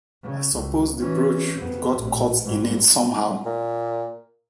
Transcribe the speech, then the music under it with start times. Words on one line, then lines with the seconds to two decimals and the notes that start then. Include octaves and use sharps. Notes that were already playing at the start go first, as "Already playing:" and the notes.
I suppose the brooch got caught in it somehow.
0.23 C#3
0.53 C#2
0.99 E3 C#4
1.58 F2 B3
1.96 A#1 A2
2.45 G#2 G3
3.45 A#2